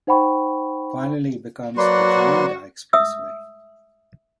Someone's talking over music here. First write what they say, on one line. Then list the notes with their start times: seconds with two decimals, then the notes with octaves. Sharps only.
Finally, it becomes the Xuanda Expressway.
0.07 D#4 C5 F#5 G5 B5 C#6
1.77 F#3 A#3 F#4 B4 D5 C6
2.93 E5 D#6 E6